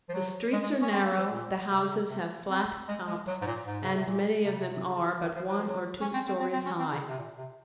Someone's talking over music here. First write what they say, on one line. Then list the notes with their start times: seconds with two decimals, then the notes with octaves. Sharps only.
The streets are narrow, the houses have flat tops and many of them are but one or two stories high.
0.09 F3
0.14 F#3
0.53 G#3
0.63 G#3
0.82 C#4
0.92 C4
1.05 A#3
1.18 F3
1.31 A#2
1.71 C3
1.81 C#3
1.91 C3
2.10 C3
2.49 C4
2.88 G#3
3.07 G#3
3.27 F#3
3.41 G#2
3.46 A#2
3.66 G#2
3.83 C#3
3.94 C3
4.05 A#2
4.44 C3
4.52 C#3
4.59 C3
4.72 C3
4.84 C#3
5.23 D#3
5.36 F3
5.48 F#3
5.58 F3
5.67 F#3
6.01 C#4
6.14 C4
6.27 C4
6.40 C4
6.53 C4
6.66 C#4
6.79 C4
6.92 C#3
7.08 C3
7.18 A#2
7.38 C3